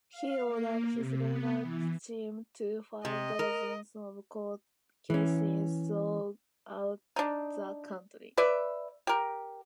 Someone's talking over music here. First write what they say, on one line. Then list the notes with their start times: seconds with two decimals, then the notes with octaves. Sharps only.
He ordered his legal team to file dozens of court cases throughout the country.
0.11 F5
0.48 A#3
0.94 C3
1.28 B3
1.61 E3
3.05 C3 D#5
3.39 A#4
5.10 E3 C#4
7.16 D4 D#4
8.38 B4 D5 E5
9.07 G4 A#4